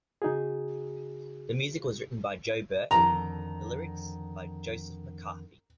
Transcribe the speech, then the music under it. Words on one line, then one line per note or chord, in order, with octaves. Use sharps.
The music was written by Joe Burke, the lyrics by Joseph McCarthy.
C#3 D#4 F#4 G#4
F2 D3 D#3 A#5